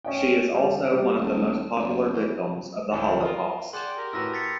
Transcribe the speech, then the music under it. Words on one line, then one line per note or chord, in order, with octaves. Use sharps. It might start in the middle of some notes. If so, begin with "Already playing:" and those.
She is also one of the most popular victims of the holocaust.
C#4 D#5 G5
G3 G#4
C3 G3
D#1 A3
F#1
E2
G#1 D2 E4
F4 A#4 D#6
G#4 D5 F#5 G5 C6
G4 A#4 A#5
A2 F#4 B4 E6 A#6
A6 B6 C#7